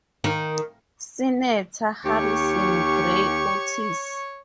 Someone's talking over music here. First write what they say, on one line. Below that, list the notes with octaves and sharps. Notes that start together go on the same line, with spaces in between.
Senator Harrison Gray Otis.
D#3
D#2 G4 C#5 C#6